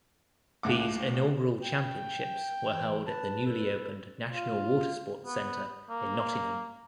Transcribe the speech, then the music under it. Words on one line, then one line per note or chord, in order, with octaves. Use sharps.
These inaugural Championships were held at the newly opened National Watersports Centre in Nottingham.
C#2 A2 F#5 D6
G5
E3
B4 A5
A4
F4
B3
A#3